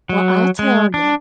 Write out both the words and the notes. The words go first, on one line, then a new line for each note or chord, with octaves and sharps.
Well, I'll tell ya.
F#3
G#3
D4